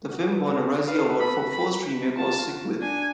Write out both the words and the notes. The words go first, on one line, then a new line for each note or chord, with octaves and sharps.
The film won a Razzie Award for Worst Remake or Sequel.
F#4
G#4
B4
A4
F#4
G#4
B4 F5
A4
B4
A4 B5
F#4
B5
F4 A5
F#4
F4
F#4
F4
D4 G#5